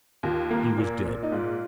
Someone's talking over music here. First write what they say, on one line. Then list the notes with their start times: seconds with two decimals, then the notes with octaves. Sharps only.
He was dead!
0.23 D#2 F4
0.51 A#3
0.77 A#2
1.05 A#2
1.23 D#4
1.32 G#2 F4